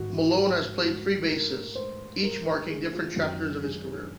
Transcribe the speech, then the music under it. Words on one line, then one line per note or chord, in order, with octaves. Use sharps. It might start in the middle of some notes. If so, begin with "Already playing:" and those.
Malone has played three basses, each marking different chapters of his career.
Already playing: G#2 D#3 F#4
F#4
F#4
A#4
C5
A#4
G#4
F4
F#2 D#3 F#4
G#4